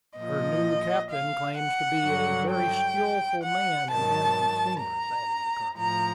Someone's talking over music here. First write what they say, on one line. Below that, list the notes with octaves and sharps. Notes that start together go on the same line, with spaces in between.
"Her new captain claims to be a very skilful man in handling steamers," added the colonel.
A#2 F3 D#5
F5
F#5
G2 D3 F#3
G5
F#5
G#2 D#3 F#3 A5
A#5
A2 F3 A#5